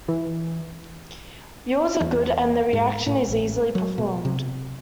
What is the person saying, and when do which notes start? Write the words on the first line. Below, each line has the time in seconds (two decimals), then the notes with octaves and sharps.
Yields are good and the reaction is easily performed.
0.08 E3
2.01 E2
2.73 G#2
3.07 A2
3.28 A1
3.75 F#3
3.98 B2
4.25 C3